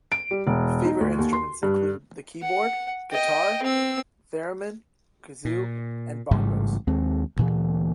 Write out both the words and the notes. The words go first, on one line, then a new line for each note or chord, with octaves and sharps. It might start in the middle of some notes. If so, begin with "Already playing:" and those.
Favourite instruments include the keyboard, guitar, theremin, kazoo and bongos.
D7
G3
E1
D#4
D2
D#2
C6
G2
F#5
D#5 G5
C4 E6
A#2
A1 G#2 C#3 G3
D#2 G#3 C4
D2 A#2 E3